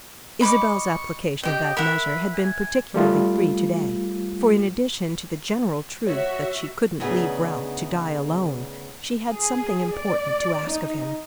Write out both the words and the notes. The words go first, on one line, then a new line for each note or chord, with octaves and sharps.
Isabel's application of that measure had been particularly free to-day, for in addition to the general truth that she couldn't leave Ralph to die alone she had something important to ask of him.
D#5 B5 C#6 D6
G4 D#5 G5
A#4 E5 F#5 B5
G#5
G3 A3 F4
F#4 C#5 E5
D2 C#3 B3 D#4 G4 G#4
G#4
D5
D#4